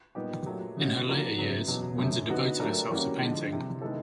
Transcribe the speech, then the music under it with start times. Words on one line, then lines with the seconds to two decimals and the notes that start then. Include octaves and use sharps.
In her later years, Windsor devoted herself to painting.
0.15 A#2 G3 B3 D#4 G4
0.46 A#2 F#3 A3
0.77 C#3 E3 G#3 C#4 F#4
1.07 F3 A#3 D4 F#4
1.37 F#2 C#3 F#3 B3
1.67 E2 B2 F#3 B3
1.98 F#2 D3 F#3 A3
2.29 D3 F#3 B3 D#4 F#4
2.60 F#3 A3 D4 G4 A#4
2.90 E3 G3 A#3 C#4 F#4
3.21 D3 F3 G#3
3.51 C3 E3 G3
3.82 D#3 G#3 B3 E4 A4